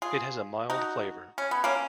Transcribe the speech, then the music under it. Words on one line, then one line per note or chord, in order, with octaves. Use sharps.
It has a mild flavour.
F4 G#4
D#4 F#4
C#4
B3
A#3 C#4